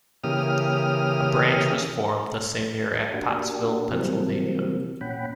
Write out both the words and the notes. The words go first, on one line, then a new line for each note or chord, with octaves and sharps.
A branch was formed the same year at Pottsville, Pennsylvania.
C#3 E3 A#3 G4 D#6 F6
A#3 D4 F#4 G4
C3 E3 F#3 G3 A#3 C4
A#2 C#4 F#5 G5 B5